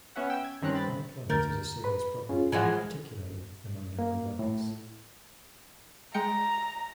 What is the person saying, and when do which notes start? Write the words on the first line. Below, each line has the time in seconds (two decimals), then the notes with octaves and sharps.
Unemployment is a serious problem, particularly among younger workers.
0.16 B3 C#4 E5 F#5
0.30 G5 E6
0.44 G#6
0.62 G2 D#3 C4 C#4 A#5 F#6
0.74 G2 C4 B5 A6
1.30 D2 A#4 G6 A6
1.84 B4 B5
2.29 C#4 F4 G#4
2.52 E3 F3 G#3 F#5 G#5
3.99 A#3
4.39 A2
6.14 G#3 G5 A#5 C#7